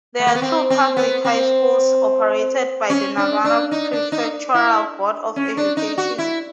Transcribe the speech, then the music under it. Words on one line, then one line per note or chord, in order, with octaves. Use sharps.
There are two public high schools operated by the Nagano Prefectural Board of Education.
A3
A#3
B3
C4
C4
B3
C4
C#4
D4
D4
D#4
D4
D#4
E4
C#4
D4
D#4
F#4
E4